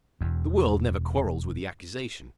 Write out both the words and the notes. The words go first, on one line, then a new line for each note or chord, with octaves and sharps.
The world never quarrels with the accusation.
E1 E2